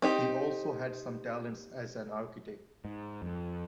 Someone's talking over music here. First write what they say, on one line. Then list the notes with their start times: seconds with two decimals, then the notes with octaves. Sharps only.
He also had some talents as an architect.
0.02 C4 D#4 G4
2.85 G#2
3.22 F2